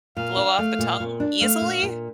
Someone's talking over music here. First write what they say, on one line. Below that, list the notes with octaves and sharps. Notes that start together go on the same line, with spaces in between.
flow off the tongue easily
A#2 F5
D4
A3
A#2
A#2
D4
A3 F5
A#2
A#2